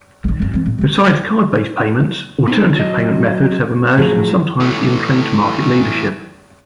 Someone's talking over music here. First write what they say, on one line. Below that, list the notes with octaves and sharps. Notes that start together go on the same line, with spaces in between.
Besides card-based payments, alternative payment methods have emerged and sometimes even claimed market leadership.
A#1 D#3
G#1 F#2
E3 C4
A2 B3
C#3 A#3
B3 C4 D#4
F#3 D#5
A2 F3 F#3 G#4
E3 A3